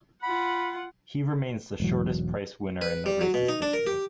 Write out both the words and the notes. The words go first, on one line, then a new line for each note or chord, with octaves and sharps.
He remains the shortest-priced winner in the race's history.
F4 F#5 B5
E1 G#2 E3 F#3
B4
G3
F#3
B2
D#4
D4
A#4
G4